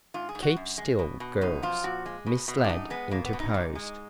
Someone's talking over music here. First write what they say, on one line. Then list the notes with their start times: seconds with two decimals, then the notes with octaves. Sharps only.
"Keep still, girls," Miss Ladd interposed.
0.14 G#2 F4
0.29 G#4
0.35 G#2
0.42 F#4
0.56 F#2
0.78 G#3
0.99 B2
1.20 B2
1.41 F#2 D#4
1.63 F3 F4
1.84 A#2 F#4
2.06 G#3
2.26 B2
2.48 B2
2.64 D4
2.69 F#2 D#4
2.90 G#3 B3
3.11 B2 A#3
3.25 B3
3.33 B2
3.40 D#4
3.54 G#2
3.75 G#3